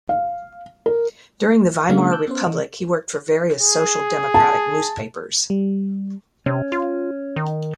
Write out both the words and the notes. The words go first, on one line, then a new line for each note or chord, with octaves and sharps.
During the Weimar Republic, he worked for various social democratic newspapers.
F5
A#4
C#3 G#3 A#3 D4 F5
A5 D6 E6 F#6 G6
B3 C#4 C5
E3 D#5
G#4
A5
G3
C3 C#4
F4
D#3